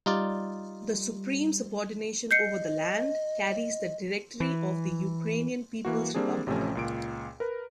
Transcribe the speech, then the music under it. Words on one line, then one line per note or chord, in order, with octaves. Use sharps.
The Supreme subordination over the land carries the Directory of the Ukrainian People's Republic.
G3 D#4 F4 D5
D#5 G6 C7 C#7
E3
E3 A#3 F#4
G3 A#3 C4 D4 G#4
A1 C3 F3 A3 C#4
C#2 A#2 D7
A#4 B4